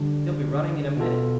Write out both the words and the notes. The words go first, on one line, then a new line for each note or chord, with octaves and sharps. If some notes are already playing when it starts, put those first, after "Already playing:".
"He'll be running in a minute."
Already playing: D3 G3 D4
B2 B3 F4 A4